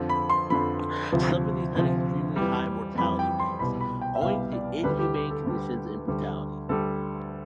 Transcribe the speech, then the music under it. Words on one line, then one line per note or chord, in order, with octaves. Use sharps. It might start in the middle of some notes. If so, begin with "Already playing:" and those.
Some of these had extremely high mortality rates, owing to inhumane conditions and brutality.
Already playing: F2 D3 F3
B5
C6
F2 D3 F3 B5
D2 C3 F3
D2 C3 F3
F2 E3 G3
F2 E3 G3 B5
G5
C6
C2 B2 G3 B5
B5
G5
E5
C2 B2 G3 F5
D5
D2 D3 G3 B4
G4
G4
A4
D2 D3 G3
D2 D3 G3
D2 D3 G3 A4